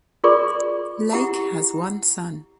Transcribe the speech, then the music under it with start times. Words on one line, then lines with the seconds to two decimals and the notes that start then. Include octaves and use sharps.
Lake has one son.
0.24 F4 G#4 A#4 D5 C6 C#6
1.13 E4 G4 F#5 A#5